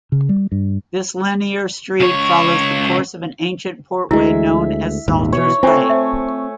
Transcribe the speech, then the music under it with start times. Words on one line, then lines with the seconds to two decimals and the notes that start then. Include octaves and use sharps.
This linear street follows the course of an ancient Portway known as Salters Way.
0.12 C#3
0.29 G3
0.52 G2
2.00 C#2 C#5
4.11 D2 G#3 E4 E5
5.08 D#1 G#1 D#2
5.32 B2 E3 C#5
5.63 A3 C4 F4 C5 G#5
5.89 E5